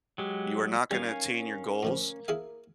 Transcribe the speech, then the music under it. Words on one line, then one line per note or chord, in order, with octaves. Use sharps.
you are not gonna attain your goals.
F#3 G#3 G4
D#3 G3 C#4 F5 G#5
A2 D3 F3 A#3
E4 G#4 F5